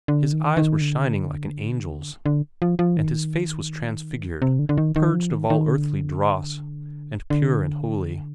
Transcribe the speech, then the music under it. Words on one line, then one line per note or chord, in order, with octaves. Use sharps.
His eyes were shining like an angel's, and his face was transfigured, purged of all earthly dross, and pure and holy.
D3
D#3
D#3
D3
D3
F3
F3
D#3
C3
D3
D3
D#3
D#3
F3
D#3
D#3
D3
D3